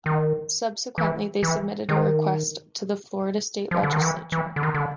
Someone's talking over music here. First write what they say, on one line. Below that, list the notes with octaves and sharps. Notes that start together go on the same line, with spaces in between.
Subsequently, they submitted a request to the Florida State Legislature.
D#3
E3
E3
D#3
F3
D3
D#3
E3
E3
D3
D#3
D3